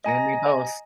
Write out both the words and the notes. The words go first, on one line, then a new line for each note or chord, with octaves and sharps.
You and me both.
D#5 G#5 A#5 A#6